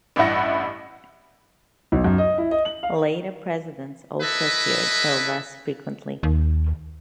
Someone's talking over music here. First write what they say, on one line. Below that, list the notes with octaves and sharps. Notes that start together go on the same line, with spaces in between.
Later presidents also appeared, though less frequently.
A1 G2 G3 E4 F#5 A#6
B1
F#2
D#5
E4
D#5
F#7
F5
E4 A4 B4 D#5 E5
D#2